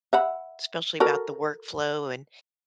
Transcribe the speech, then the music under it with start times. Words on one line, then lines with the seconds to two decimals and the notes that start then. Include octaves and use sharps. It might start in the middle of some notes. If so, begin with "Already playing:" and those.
especially about the work flow and
0.13 E5 F#5 B5
1.00 F#4 A4 A#4